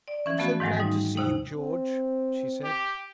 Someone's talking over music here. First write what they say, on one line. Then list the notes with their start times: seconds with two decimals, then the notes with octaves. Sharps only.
'I am so glad to see you, George,' she said.
0.08 D5
0.26 E3 C#4
0.38 F3 A3 B3 C#4 F#4
0.60 G#2 D#3 F3 F#3 G#3
0.77 G3 D#4
1.16 D#2 C3 D#4 G5
1.57 C4
2.64 G4